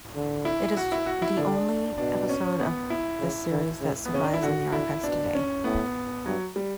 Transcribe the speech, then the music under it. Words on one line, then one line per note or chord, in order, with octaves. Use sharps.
It is the only episode of this series that survives in the archives today.
D3
E4
F#4
E4
F#4
E4
D3 D4
B2 D4
C#4
B3
E4
C#3
D3
C#3
B3
C#3 C#4
D4
E4
D3 F#4
D3 E4
B2 D4
C#4
A2 B3
G2 F#3
G3